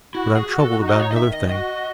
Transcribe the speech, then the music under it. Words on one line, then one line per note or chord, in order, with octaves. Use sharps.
But I am troubled about another thing.
E4 F#4
G#4
F#4
A4
D#4
D#5
C#5
D#5
D#3 E5
D#5
F#4 D#5